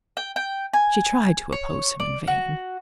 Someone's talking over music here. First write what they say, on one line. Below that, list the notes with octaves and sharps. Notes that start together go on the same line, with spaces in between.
She tried to oppose him in vain.
G5
G5
G#5
C#5
D5
F#4